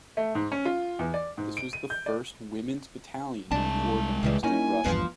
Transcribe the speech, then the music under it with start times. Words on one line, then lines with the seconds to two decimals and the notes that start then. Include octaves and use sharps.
This was the first women's battalion to be organized in Russia.
0.17 A3
0.35 G#2
0.52 C#4
0.65 F4
0.99 E2
1.14 D5
1.38 G#2
1.57 D7
1.73 D#7
1.90 G6
2.06 D5
3.51 C2 G#3 D4 A5
4.23 C#2 C#3 E3 G3
4.44 A#3 C#4 D#4 E4 G#5
4.84 G#1 E2 G2 F3 B3